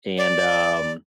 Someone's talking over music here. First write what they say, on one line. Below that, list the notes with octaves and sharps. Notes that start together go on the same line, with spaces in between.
and, um,
D5